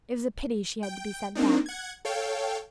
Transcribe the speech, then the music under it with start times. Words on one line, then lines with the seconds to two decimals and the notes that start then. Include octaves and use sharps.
It was a pity she had to be sent back.
0.83 G5
1.35 A#3 C4 D4 D#4
1.66 F#5 G#6
2.05 A4 C#5 F5 G5